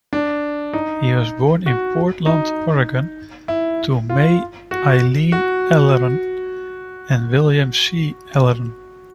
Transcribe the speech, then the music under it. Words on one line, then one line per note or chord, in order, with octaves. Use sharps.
He was born in Portland, Oregon to May Eileen Ellern and William C. Ellern.
D4
D#4
F#4
D#4
E4
F4
F#4
F#4